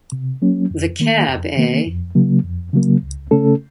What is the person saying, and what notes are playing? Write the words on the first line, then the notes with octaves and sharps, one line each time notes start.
The cab, eh?
C3
F#3 A#3 C#4
F2
D#3 A#3
F2
D#3 A#3
F2
C#3 F#3 A#3
F2
C#3 F#3 A#3
C#2
C#3 A3 C#4 A4